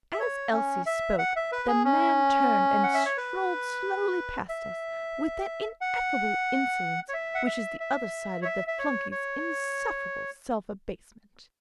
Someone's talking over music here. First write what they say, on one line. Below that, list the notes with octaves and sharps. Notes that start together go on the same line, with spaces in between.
As Elsie spoke, the man turned, and strolled slowly past us, with that ineffable insolence which is the other side of the flunkey's insufferable self-abasement.
E5
C#5
C#4
E5
F#5
E5
B4
G#4
C#4
F#5
E5
C#5
B4
E5
F#5
C#5
E5
F#5
E5
E5
C#5
E5
E5
C#5
C#5